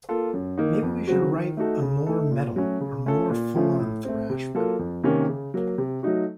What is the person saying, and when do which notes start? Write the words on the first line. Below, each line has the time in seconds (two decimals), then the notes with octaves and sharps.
Maybe we should write a more metal or more full-on thrash metal.
0.09 A#3 F4 A4
0.33 F#2
0.58 D#3 A#3 D#4
0.82 F2
1.07 C#3 F#3 C4 F#4
1.32 D#3
1.57 A3 D#4 F#4 A4
1.82 C#3
2.07 A3 D#4 A4
2.31 A#2
2.56 F#3 A3 C#4 F#4
2.80 C#3
3.06 A3 C#4 F4 A4
3.30 A#2
3.55 F3 A3 C#4 F4
3.79 A2
4.05 A3 C4
4.30 C3
4.54 F#3 A#3 F4 A4
4.79 F2
5.04 C3 D#3 A#3 C#4
5.28 C#3
5.54 F#3 A#3
5.78 C3
6.03 F#3 A3 D#4 F#4